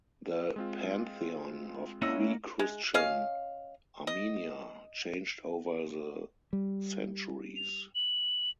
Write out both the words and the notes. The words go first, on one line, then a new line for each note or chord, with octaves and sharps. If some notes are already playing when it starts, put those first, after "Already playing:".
The pantheon of pre-Christian Armenia changed over the centuries.
G#3 C4 F4
A#3 C#4 E4 D#5 F#5 E6 A#6
G#3
C#4 D#5 F5
D#5
G3
F7
F#7